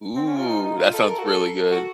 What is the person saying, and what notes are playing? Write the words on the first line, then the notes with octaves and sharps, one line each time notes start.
Ooh, that sounds really good.
C4
C#4
F4
D#4
D#4
F4
A4
A#4
F#4
A4
F#4